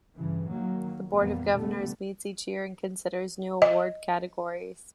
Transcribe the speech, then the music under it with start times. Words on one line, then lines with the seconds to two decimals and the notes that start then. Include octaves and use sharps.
The Board of Governors meets each year and considers new award categories.
0.15 G2 C#3 E3
0.51 D#3 F#3 A#3
1.12 F2 A#2 E3 G3 A#3 B3
1.55 B2 D3 G3 A3 B3
3.62 D#5